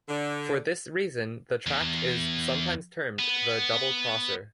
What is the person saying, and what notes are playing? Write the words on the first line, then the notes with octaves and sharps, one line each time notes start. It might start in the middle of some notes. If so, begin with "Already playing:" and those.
For this reason the tract is sometimes termed the double-crosser.
D3
E2
B3